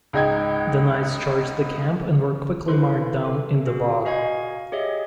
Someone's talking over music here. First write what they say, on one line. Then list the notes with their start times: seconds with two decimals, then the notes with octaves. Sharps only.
The knights charged the camp, and were quickly mired down in the bog.
0.13 C#2 G#2 D#4 G5 G#6
2.68 E4 A4 B4 C5 C6
3.25 A4
3.66 F#4 G#4
4.05 F#4 D#5 F5 G#5 C#6 G#6
4.72 G4 G#4 C#5 D#5 E5